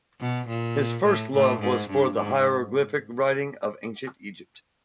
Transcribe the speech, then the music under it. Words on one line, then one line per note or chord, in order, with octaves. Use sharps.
His first love was for the hieroglyphic writing of ancient Egypt.
B2
A#2
A2
A2
G#2
G2
G#2